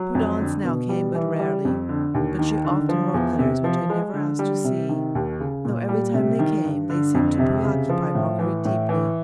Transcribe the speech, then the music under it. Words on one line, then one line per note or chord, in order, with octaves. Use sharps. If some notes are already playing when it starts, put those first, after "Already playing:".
Prudence now came but rarely; but she often wrote letters which I never asked to see, though, every time they came, they seemed to preoccupy Marguerite deeply.
Already playing: F#3
F2
D3
B2
G3
E3
G3
F2
D3
D#2
D#3
D3
F3
E2
C3
F3
G#3
D3
G3
C3
D#3
D#2
C#3
A#2
G3
C3
D#3
G2
D3
F2
C3
C#3
F3
A2
E3
A2
E3